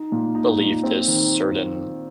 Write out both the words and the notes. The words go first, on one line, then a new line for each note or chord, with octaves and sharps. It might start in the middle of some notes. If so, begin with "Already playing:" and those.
believe this certain
Already playing: D#4
A#2
D#4
A#2
C4
D#3